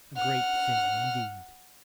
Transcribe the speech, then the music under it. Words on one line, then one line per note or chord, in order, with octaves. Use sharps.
A great thing, indeed.
F#5 F6